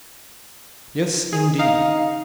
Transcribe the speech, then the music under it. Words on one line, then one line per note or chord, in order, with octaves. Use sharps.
Yes, indeed.
G#4
D#4 F5